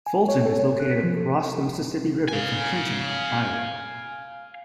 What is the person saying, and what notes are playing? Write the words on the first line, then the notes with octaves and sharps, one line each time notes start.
Fulton is located across the Mississippi River from Clinton, Iowa.
G#5
C#5
A4
C#5
F#6
B6
F3
A4
F5 G#5